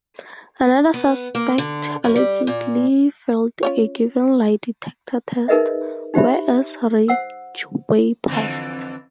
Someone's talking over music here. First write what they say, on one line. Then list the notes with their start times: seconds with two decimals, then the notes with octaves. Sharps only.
Another suspect allegedly failed a given lie detector test, whereas Ridgway passed.
0.94 B3
1.35 A#3
1.58 D3
2.04 F#2
2.16 G3
2.47 A#2
3.63 C#4 F4 C#5
5.48 D#4 G#4 A#4 B4 D#5 E5
6.14 D#4 G4 C5 E5 B5
7.08 C5 F#5 E6
8.29 F2 D3 E3